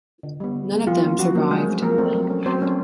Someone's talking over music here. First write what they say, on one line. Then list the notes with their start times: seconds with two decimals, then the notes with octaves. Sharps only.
None of them survived.
0.23 D3
0.40 G3 B3
0.56 D3
0.72 G3 B3
0.87 F3 F4
1.04 A#3 C#4
1.19 F3 F#3 F#4
1.35 A#3 C#4
1.50 F3 G#3 G#4
1.66 A3 C4
1.82 F3 A#3 A#4
1.98 A3 C4
2.15 F#3
2.30 A3 C#4
2.46 F#3 C4 C5
2.62 A3 C#4